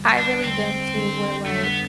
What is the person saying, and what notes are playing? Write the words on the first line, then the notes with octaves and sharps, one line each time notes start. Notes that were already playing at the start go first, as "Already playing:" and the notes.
I really been to were, like,
Already playing: E2 D3 G3
D4
E2 D3 G3 C4
F2 D3 G3 D4 A4
F2 D3 G3 A3 D4 A4
B3